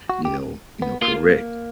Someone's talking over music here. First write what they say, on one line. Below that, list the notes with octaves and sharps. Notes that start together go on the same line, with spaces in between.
you know you know, correct.
F#4
G4
B3
A#3 F4